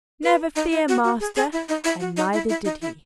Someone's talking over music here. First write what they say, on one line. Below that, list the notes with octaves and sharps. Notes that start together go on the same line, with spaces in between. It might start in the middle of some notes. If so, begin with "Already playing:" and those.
"Never fear, master!" and neither did he.
B4
D#4
E4
F#4
F#4
G#4
G#4
E4
D#4
E4
F#4
D#4
E4
E4
D#4
E4